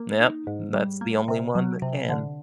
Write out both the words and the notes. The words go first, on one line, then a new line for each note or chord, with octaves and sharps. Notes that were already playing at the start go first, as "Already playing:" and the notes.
Yep, that's the only one that can.
Already playing: A#3
D#4
G#2
G3
A#3
C3
F#3
C3
D3